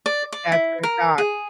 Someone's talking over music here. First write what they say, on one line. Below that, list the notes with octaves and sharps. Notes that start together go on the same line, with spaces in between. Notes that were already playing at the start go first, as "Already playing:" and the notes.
Th that's what I thought.
D5
D5
E4
A#4
G#4